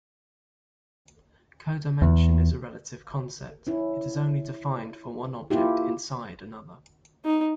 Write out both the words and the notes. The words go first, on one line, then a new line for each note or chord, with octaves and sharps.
Codimension is a "relative" concept: it is only defined for one object "inside" another.
E2
C#4 E4
A#3 E4 F4 G4
D#4